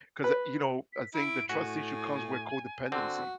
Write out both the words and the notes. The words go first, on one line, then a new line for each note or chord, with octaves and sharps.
'cause, uh you know, I think the trust issue comes with codependency,
B4
B6
E4 D7
A2 F#4 G#5
D3 C4 F#4